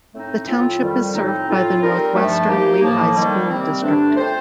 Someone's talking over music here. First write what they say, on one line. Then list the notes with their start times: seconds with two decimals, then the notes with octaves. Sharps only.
The Township is served by the Northwestern Lehigh School District.
0.14 A2 A3 C4 D#4
0.47 A2 F3 C4 F4
0.81 F2 D#3 G3
1.14 A2 F3 C4 D#4
1.48 A2 F3 C4 F4
1.81 G3 C4 D#4 A#4
2.15 G2 F3 A3
2.49 A#3 D#4 G4
2.82 A2 F3 A#3
3.16 D#3 G3 A#3
3.49 C3 D#3 G3 C4
3.82 G2 D3 A3 D4
4.17 A3 C4 F4 C5